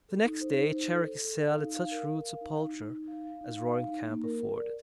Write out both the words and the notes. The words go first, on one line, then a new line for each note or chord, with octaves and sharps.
The next day Cherokee Sal had such rude sepulture as Roaring Camp afforded.
A4
D#4
C5
D#4
C5
A4
A4
A4
F5
D#4
F5
A#4
A#4
F5
D#4
D#4
D#4
D#4
F5
F5
D#4
F5
D#4
D#4
A#3
A#4
A#4
D5